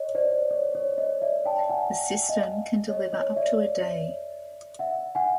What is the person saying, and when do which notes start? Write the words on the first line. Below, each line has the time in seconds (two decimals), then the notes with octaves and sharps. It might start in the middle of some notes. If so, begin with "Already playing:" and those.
The system can deliver up to a day.
Already playing: C#5 D#5
0.15 C5 D5
0.51 C#5
0.75 C#5
0.98 C#5 D#5
1.22 D5 E5
1.46 G5 A5
1.70 F#5 G#5
2.29 D#5 F5
2.89 C#5 D#5
3.13 C#5 D#5
3.36 D5 E5
4.79 E5 F#5
5.15 F#5 G#5